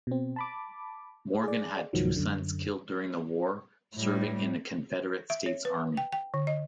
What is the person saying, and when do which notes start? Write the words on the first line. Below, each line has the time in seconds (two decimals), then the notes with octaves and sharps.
Morgan had two sons killed during the war serving in the Confederate States Army.
0.07 B2 C4
0.36 A5 B5 D6
1.43 G#4 D5
1.93 C#2 G#2 D#3 F3 F#3
2.16 F#2 D3
3.95 A2 G3
5.30 E5
5.46 C#5
5.65 B4
5.97 G5
6.12 G5
6.34 D3
6.47 D#5